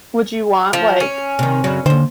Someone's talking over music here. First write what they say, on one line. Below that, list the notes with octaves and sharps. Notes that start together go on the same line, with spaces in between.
Would you want, like,
F3
C#4
C3 D#3
F#2 C#3 F#3
D#2 D3 C5